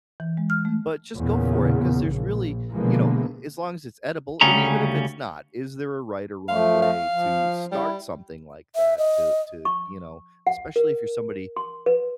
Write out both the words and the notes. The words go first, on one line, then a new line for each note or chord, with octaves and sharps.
But just go for it 'cause there's really you know, eh, as long as it's edible, and even if it's not, is there a right or wrong way to start something like that to to you know, especially if you're somebody
E3
G#3
F6
A3
E2 A#2 C#3
A#1
B2 D3 E3 F3 G#3 A#3
D2 C#3 G3 C#4 A#5
F3 A3 F5
F5
F3
G3 E4
E5
D#5
C#6
F#5
A#4
C6
B4